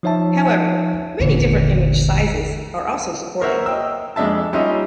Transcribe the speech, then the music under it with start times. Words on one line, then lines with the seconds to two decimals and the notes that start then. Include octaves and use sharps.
However, many different image sizes are also supported.
0.03 F3 D#4 C#5 E5 A5
1.20 G1 D#2 A#2 D3 E3
3.41 A#4 C5 C#5 E5 F#5
3.66 D#5 G5 E6
4.16 F2 G#3 D4 E5 A5
4.53 G3 C#4 D#4 F4 D#5 E5